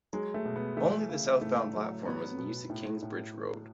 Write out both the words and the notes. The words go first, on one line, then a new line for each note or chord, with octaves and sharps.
Only the southbound platform was in use at Kingsbridge Road.
F#3 G#3
A3
B2
B3
E3 A3
C#3
A2 A3
F#3
F#3 B3
B2
A2
A2